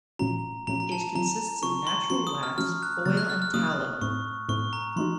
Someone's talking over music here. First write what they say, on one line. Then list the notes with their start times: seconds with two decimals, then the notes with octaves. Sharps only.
It consists of natural wax, oil and tallow.
0.19 A#2 F3 A3 C#4 F#4 A#5
0.67 A#2 F3 A3 C#4 F#4 A#5
0.80 A#5
0.92 A5
1.15 F#3 C4 F4 A#5
1.63 F#3 C4 F4 C#6
1.87 C6
2.10 F3 A3 C#4 F#4 C6
2.27 D#6
2.43 F6
2.58 F3 A3 C#4 F#4 F6
2.83 F#6
3.06 C#3 F#3 A#3 A6
3.17 F#6
3.30 F6
3.42 F6
3.54 C#3 F#3 A#3 D#6
4.01 A2 A3 C4 C#6
4.49 A2 A3 C4 C#6
4.73 A#5
4.96 F3 A3 D#4 F#4 C6